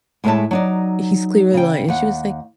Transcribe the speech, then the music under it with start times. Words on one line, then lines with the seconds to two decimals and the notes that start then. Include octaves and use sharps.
he's clearly lying. And she was like,
0.24 A2 G#3 E4 C#5 E5 A5
0.51 F#3 D#4 D5
1.54 C#3 G5
1.88 D#2 F#5